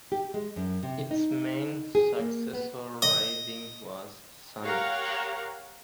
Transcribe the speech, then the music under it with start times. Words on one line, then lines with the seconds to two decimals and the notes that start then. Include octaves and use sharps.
Its main successor-riding was Saanich.
0.12 G4
0.34 G#3
0.56 F#2
0.83 C3
1.11 D#4
1.95 G#4
2.19 A#3
2.53 B3
3.02 D#5
4.64 G4 A#4 C#5 F5 F#5 A#5